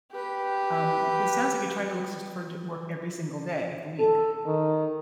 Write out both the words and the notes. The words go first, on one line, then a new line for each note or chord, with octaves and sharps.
Um, it sounds like you're trying to look y for ju work every single day of the week.
G4 B4
A4
D#3